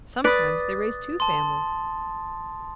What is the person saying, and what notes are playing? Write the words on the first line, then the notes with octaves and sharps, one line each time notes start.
Sometimes they raise two families.
B4 D5 D#6 A6
A5 C6